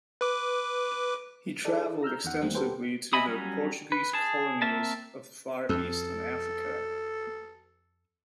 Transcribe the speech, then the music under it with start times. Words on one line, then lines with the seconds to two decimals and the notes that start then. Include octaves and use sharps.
He travelled extensively to the Portuguese colonies of the Far East and Africa.
0.21 B4 D6
1.65 D#4 E4 G#4 A4 D5
2.03 A#5 E6 F6 G6
2.24 E2 D#3 F#5
2.42 D#3 G3 A3 A#3 C4
2.55 F#4 G4 A4 B4 C5 G5
3.13 D#5 E5 G#5 B5 D#6
3.26 F#3 G3 C#4
3.92 B4
4.13 G#4 A5
4.62 A#3 C4 A#4 E5 A5
5.69 F2 A4